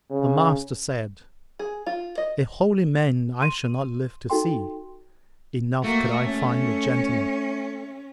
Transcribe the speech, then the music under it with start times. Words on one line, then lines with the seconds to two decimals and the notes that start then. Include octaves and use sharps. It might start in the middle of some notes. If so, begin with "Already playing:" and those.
The Master said, A holy man I shall not live to see; enough could I find a gentleman!
0.10 C#3
1.59 G#4
1.86 F4
2.18 D#5
3.41 C6 D#7
4.30 D#4 F#4 A4 G5 C6
5.84 A3 A#3 F#4
6.22 C#4